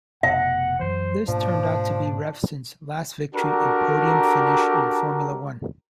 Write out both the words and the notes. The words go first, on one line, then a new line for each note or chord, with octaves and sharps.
This turned out to be Revson's last victory and podium finish in Formula One.
F1 B2 E5 F#5
F#2 E3 C5
G#2 B2 F3 A#3 D4
D4 F#4 G4 A4 A#4